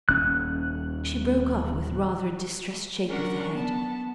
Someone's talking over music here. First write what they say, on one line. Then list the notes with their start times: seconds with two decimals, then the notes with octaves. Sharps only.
She broke off with rather a distressed shake of the head.
0.09 D#1 C#4 F#6
3.09 F#3 C#4 D4 A#4 F#5 C#6
3.51 B3 A5